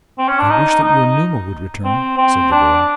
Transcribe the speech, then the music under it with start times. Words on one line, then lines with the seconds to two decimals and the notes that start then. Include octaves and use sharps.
"I wish that your Numa would return," said the girl.
0.18 C4
0.28 C#4
0.39 D4
0.50 D#4
0.83 D#4
1.84 C4
2.18 C4
2.51 D4